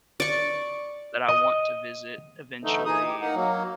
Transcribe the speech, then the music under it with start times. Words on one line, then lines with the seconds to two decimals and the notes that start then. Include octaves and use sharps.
that I want to visit eventually and,
0.20 D5 C#6
1.29 D#5
2.64 D3 E3 A3 D#4
2.85 E3 D#4 G#4 D#6
3.05 G4
3.21 A#3 D#4 F#5
3.35 F#3 A#3